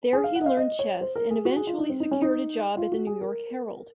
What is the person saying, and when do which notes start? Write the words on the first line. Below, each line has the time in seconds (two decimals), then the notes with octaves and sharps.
There he learned chess and eventually secured a job at the "New York Herald".
0.13 G#4
0.24 F5
0.35 F#5
0.41 D#5
0.46 F5
0.57 D#5
0.79 C#5
1.01 C5
1.16 A#4
1.31 G#4
1.45 F#4
1.56 G#4
1.67 F4
1.78 D#4
1.89 C4
2.00 D#4
2.11 C#4
2.22 D#4
2.77 F4
2.92 F#4
3.07 G#4
3.21 A#4